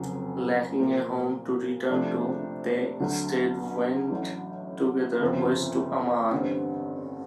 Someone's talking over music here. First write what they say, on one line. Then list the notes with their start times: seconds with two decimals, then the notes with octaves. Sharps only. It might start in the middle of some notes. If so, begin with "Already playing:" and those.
Lacking a home to return to, they instead went together west to Aman.
Already playing: F1 F2 C#3 F#3
0.79 A#2 F3 A#3
1.89 F2 C3 F3 A3 D4
3.00 D2 D3 F#3
4.10 A1 A2 F#3
5.21 G1 F2 C#3 F3
6.31 A1 G2 D3 G3 C4